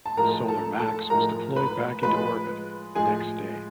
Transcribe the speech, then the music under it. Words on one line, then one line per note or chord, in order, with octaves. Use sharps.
Solar Max was deployed back into orbit the next day.
A5
A2 F3 G#3 A#4 A#5
A4 A5
A4 A5
A2 F3 G#3 A#4 A#5
B4 B5
A2 F3 G#3 B4 B5
A2 F3 G#3 G#4 G#5